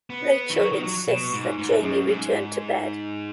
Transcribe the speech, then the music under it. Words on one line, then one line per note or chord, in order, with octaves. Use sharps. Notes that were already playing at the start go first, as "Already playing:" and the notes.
Rachel insists that Jamie return to bed.
B3
D#3
F#3
D#3
F#3
B2
G#2
G#2
F#2
G#2